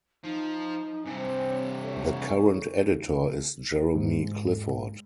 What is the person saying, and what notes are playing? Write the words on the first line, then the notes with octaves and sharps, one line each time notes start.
The current editor is Jeremy Clifford.
F3 D#4
G2 C3 C4 G#5
C#5
D2 A4 C#5
G#2